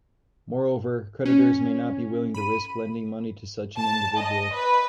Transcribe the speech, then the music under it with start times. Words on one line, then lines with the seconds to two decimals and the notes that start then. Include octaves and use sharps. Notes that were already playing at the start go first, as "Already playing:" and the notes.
Moreover, creditors may not be willing to risk lending money to such an individual.
1.26 C#4
2.35 B5 D#7
3.77 A5
4.17 D#5
4.54 B4